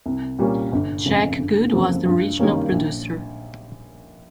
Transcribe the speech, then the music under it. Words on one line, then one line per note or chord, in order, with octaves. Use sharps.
Jack Good was the original producer.
C2
A#2 G3 A#3 C#4
G1
F2 C#3
G1
F2 C#3 F3 A#3
G2
D#3 G3 A#3 C#4
A#1